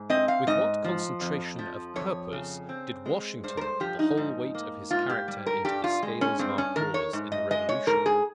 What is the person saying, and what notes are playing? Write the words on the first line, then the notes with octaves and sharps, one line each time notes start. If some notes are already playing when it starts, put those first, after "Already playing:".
With what concentration of purpose did Washington put the whole weight of his character into the scales of our cause in the Revolution!
Already playing: G#2
C4 D#5
F5
G#2 D#5
F3
F2
F3
F2 C#5
C#3
C4
G#3
G2 C5
A#4
C5
F3 G4
D#4
G#2
A#3
G#2 F4
G4
G3
A#4
G2 G4
F4
G#3
C#4
G2 C4
C#4
D#3 A#4
C#5
G#2
D#5
G#3 D#5
C#5
G#2 A#4
G#4